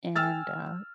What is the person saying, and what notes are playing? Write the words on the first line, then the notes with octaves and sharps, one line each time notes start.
And, uh,
G5 G#5 E6 F6 A6